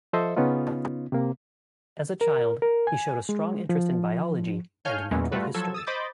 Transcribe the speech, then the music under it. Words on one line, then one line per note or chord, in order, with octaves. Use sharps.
As a child, he showed a strong interest in biology and natural history.
F3 A4 C5 D#5 E5
C#3 B3 C#4 D#4 F4
C3 A#3
A#4
A#4
G#5
G#3
F3
C#5 F5 G#5 A5 F6 G6
E2 A#2 E3 F#3 G#3 C#4
G3 A3 F4 F#4 B4
F3 F#3 A4 E6 G#6
D#6 E6 A6
C5 D#5 B5 D6 G6 A6